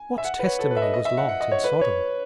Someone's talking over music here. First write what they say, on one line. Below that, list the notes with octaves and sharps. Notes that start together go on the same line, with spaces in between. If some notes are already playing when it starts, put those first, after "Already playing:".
What testimony was Lot in Sodom?
Already playing: G#5
E5
F#5
B4
C#5
A4
B4
E5
D#5
D#5
E5
F#5
F#5
D#5
C#5
B4
C#5